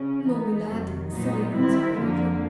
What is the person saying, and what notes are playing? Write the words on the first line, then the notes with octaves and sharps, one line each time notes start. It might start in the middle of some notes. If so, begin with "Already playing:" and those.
"No, me lad," Cilley answered gravely.
Already playing: C#3 C#4
E3 G#3 B3 D#4
F2 C3 D#3 F#3
A#2 F#3 B3 D#4
D#3 G3 C4 E4
F2 D3 F3 A#3